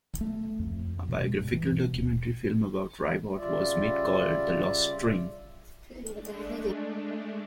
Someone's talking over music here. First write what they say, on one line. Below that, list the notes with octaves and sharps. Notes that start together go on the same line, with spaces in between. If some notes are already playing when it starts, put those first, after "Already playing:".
A biographical documentary film about Ribot was made, called "The Lost String".
A3
F2
B2
G#3
G2
E3
B2
D1
C#3 G3 F4 D5 E5
G#3 A3 D4